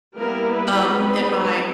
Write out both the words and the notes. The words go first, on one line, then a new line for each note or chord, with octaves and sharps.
um, and my
G3 A#3 B3 E4 A#4
B3 B4
G#3 C4 D#4